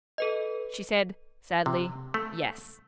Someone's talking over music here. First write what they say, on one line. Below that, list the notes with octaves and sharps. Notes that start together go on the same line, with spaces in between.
She said, sadly, 'Yes!
A4 B4 D#5
C3
A3